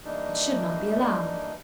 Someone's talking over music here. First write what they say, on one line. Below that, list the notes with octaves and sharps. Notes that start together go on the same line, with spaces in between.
It should not be allowed.
E3 G3 A3 A#3 D4 D#4